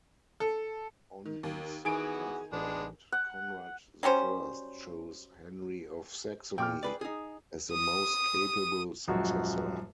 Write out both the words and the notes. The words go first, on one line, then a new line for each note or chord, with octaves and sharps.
On his deathbed Conrad I chose Henry of Saxony as the most capable successor.
A4
D#3
D#2
D#3 E3 B3 F#4 G#4 G#5 D7
A1 G#3 B3 D4
F#5
F#3 G3 C#4 C5
A#2 G5 D6 F6
G#4 B4 D5
D#4 G#4
D#6
D#1 F#2 F3 G#3 F#4